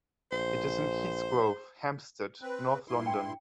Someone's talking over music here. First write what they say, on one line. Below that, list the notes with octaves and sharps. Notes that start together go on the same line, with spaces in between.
It is in Keats Grove, Hampstead, north London.
A#1 C5
C4 B4
G2 E4 C6
G5